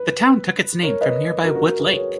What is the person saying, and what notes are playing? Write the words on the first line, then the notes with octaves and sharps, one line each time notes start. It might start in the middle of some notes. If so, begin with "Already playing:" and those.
The town took its name from nearby Wood Lake.
Already playing: B4
A#4 C#5
B4 D#5
F#4 A#4
F#4 A#4
F#4 A#4
G#4 B4
A#4 C#5